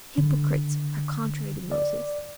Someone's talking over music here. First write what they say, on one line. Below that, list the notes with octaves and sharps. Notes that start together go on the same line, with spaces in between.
Hypocrites are contrary to Moses.
D3
D5